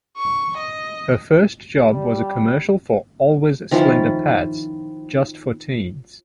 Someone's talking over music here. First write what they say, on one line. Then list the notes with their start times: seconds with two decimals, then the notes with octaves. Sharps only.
Her first job was a commercial for Always Slender Pads - Just For Teens.
0.17 C#6
0.57 D#5
1.76 G3
3.71 D#3 F3 C#4 E4